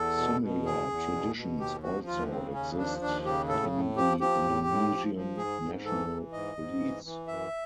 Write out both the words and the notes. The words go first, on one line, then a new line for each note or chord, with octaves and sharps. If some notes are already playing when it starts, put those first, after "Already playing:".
Similar traditions also exist in the Indonesian National Police.
Already playing: E2 A4
B2
B2
E2 G#4
E2
B2
B2
D#2 G4
F3 F#4
D#2 F4
C#3 C4
D#2 C#4
F3 D4
D#2 D4
C#3 G4
A2 A4
A2
F3 G4
F3 G4
A2
A2
F3
F3
G#2 G#4
G#2
E3 A4
E3
G#2 D#5
G#2
E3
E3
F#2 E5